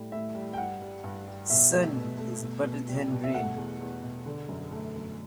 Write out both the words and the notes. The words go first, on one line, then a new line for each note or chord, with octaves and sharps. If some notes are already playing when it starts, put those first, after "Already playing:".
Sun is better than rain.
Already playing: A2 G3 A3
A2 E5
G3
G5
G2 F#5
G3
G2
G3
B2 E5
A3
B2
A3
B2
B2
G3
B2
E5
A3 F#5
E2
E2
B2
D3
F#2
A3
F#2